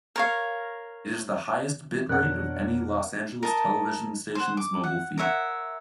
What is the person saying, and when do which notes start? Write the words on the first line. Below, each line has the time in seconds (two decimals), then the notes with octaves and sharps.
It is the highest bitrate of any Los Angeles television station's mobile feed.
0.16 A#4 C#5 F5
2.09 F2 B2 D4 A#4 C#5 D5 F#5 F#6
3.43 A#4 D#5 A5
4.35 C5 F#5
4.57 D6
4.84 F#5
5.18 A#4 C#5 E5 F#5